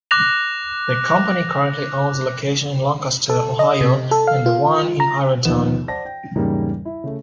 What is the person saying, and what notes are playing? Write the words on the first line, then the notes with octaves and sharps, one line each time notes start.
The company currently owns the location in Lancaster, Ohio and the one in Ironton.
D6 F#6 A#6 F7
A4
D#5
C3
A4
F5
F4
A#5
D#2 F3 B3 D#4 F#5 E7
C5 D5 F#5 A5 A#6
G5
E2 G#2 C#3 G3 A#3
E4
C#3 A3